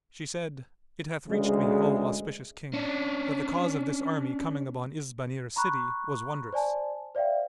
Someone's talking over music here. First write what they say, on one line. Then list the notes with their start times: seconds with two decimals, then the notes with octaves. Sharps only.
She said, It hath reached me, O auspicious King, that the cause of this army coming upon Isbanir city was wondrous.
1.29 D2 C#3 G#3
2.74 C#4 D4
5.56 A#5 B5 C#6 F#6
6.53 C5 D5 G#5 A5
7.15 C5 D5 E5 F5 G5